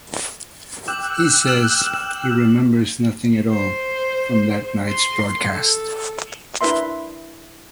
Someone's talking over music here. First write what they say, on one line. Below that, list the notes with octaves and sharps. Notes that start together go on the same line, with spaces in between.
He says he "remembers nothing at all" from that night's broadcast.
G5 D6 E6 F#6
F6 E7 F#7
C5
C6
A4
D4 E4 A#4 B4 E5 C6